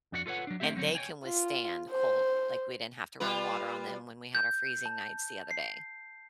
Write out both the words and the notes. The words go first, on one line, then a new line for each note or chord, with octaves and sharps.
And they can withstand cold, like, we didn't have to run water on them when we had our freezing nights the other day.
F2 D4 F#4 A4 F#5
F4 A4 B4 C#5 F#5
F#3 D4
A3 C4 E4 G4 E5
D3 F#3 C4 C#5
C#5 D5 G5 G#5
F4
C5
G3 F4 B4
G6
A5
C7